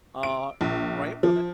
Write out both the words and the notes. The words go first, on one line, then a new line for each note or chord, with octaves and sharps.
uh, er, right, when I
D7
A#1
F3